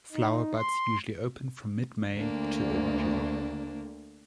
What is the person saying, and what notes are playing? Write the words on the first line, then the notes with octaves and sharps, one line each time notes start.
Flower buds usually open from mid-May to early June.
D#4
C6
D2 A#3 D4